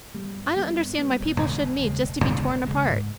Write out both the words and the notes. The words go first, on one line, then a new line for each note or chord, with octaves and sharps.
I don't understand why people should meet just to be torn apart.
G3 B3
G2
G3 B3
G2
G3 B3
E1
D#2 C#3 G#3
E1
D#2 C#3 G#3
E1
D#2 C#3 G#3
E1
D#2 C#3 G#3
G#2